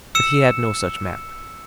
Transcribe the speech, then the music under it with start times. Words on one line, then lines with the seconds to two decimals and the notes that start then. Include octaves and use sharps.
But he had no such map.
0.15 E6 C#7 E7